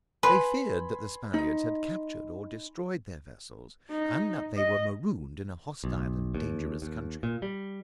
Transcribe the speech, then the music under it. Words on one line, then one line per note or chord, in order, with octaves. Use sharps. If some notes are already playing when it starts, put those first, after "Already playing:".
They feared that the Spaniards had captured or destroyed their vessels and that they were marooned in a hostile and dangerous country.
B4 G#5 B5 C6
D#4
D#4
D#5
B1
D#2
D#2
A#2
G3